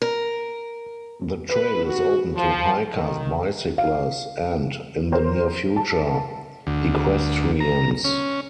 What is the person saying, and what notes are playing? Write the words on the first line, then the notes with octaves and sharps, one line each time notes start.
The trail is open to hikers, bicyclers, and, in the near future, equestrians.
A#4
B4
F#4
F3
D#3
F5
A#4 C5
A5
D2
A#5
C#4